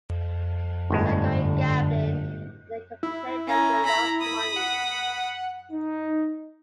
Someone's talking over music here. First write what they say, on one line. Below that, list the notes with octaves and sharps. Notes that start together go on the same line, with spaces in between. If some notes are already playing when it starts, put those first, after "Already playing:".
It's like going gambling and then complaining that you've lost money.
G1 A2 D3 G#3
E4
C#4 A#5
A#5 B5
B5 D#6
F#5
D#4